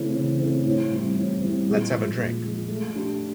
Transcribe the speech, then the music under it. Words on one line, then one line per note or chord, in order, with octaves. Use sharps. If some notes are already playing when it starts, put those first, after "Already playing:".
Let’s have a drink.
Already playing: C#3 E3 A3 C4
C#3
E3 A3 C4
A2
E3 G3 C4 E4
A2
E3 G3 C4 E4
A#2
F3 G#3
A#2
F3 G#3
A3
D4 G4